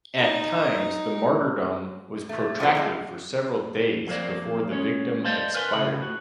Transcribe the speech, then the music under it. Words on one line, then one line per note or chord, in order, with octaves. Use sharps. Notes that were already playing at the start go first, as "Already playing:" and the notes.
At times the martyrdom was protracted for several days before the victim expired.
D#4
A3
D3 F3 F#3 A#3 B3
A2 G#3 F4
F2 F#3 A#3 B3 C5 D5
G#3 C#4 C#5
C5 D5 D#5 F5 A5 C6
A#4 B4 G#5 C6
A2 C#3 B5
A2 F#4